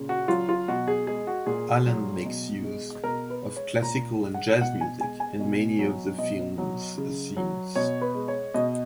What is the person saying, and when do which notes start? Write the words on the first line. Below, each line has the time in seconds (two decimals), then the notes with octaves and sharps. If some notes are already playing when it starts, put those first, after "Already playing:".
Allen makes use of classical and jazz music in many of the film's scenes.
Already playing: A#2 C#3
0.09 F#4
0.28 F#3 F4
0.49 F4
0.68 B2 F#4
0.88 G#4
1.07 G#3 G#4
1.27 F#4
1.46 A#2 G#4
1.86 F#3
2.25 B2
2.64 G#3
3.04 B2 A#4
3.30 B4
3.43 G#3
3.56 C#5
3.82 A#2 A#5
4.21 G#3
4.34 F#5
4.61 B2 F#5
4.81 G#5
5.01 G#3 G#5
5.20 G#5
5.40 B2
5.79 F#3
6.18 B2 D#5
6.58 F#3
6.98 C#3
7.37 F#3
7.76 B2 C#5
8.01 B4
8.15 G#3
8.28 C#5
8.54 B2 D#5